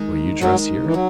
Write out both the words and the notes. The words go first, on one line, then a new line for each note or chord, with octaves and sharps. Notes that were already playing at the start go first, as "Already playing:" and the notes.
"Will you dress here?"
Already playing: D#3 G#3 D#4
D#3 F#3 G#3 D#4
E3
F#3 D#4